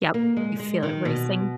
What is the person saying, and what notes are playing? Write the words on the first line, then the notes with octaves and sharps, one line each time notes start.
Yep. You feel it racing?
A#3
G#3
G#3
D#3
B2